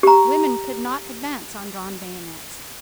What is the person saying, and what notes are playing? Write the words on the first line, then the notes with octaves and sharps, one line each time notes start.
Women could not advance on drawn bayonets.
G4 A#5